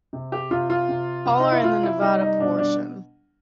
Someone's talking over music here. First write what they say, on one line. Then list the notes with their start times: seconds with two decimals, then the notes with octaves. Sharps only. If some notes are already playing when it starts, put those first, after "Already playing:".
All are in the Nevada portion.
0.13 C3
0.32 G4
0.51 C3 F4
0.70 F4
0.89 C3
1.26 C3
1.39 D#4
1.52 E4
1.63 C3 F4
1.83 E4
2.01 G3 D#4
2.21 D#4
2.39 B2 D4
2.59 D4